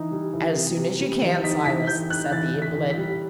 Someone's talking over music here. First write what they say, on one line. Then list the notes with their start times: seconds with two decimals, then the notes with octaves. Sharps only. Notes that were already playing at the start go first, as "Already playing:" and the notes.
"As soon as you can, Silas," said the invalid.
Already playing: E3 D#4
0.12 G3
0.33 E3
0.55 C3
0.77 C3
1.00 G3
1.21 E3
1.44 D#4 B6
1.66 E3 B6
1.87 E3 G6
2.09 D#4 F#6
2.31 E3 A6
2.54 E3
2.62 B6
2.76 E3
2.90 B6
2.98 G3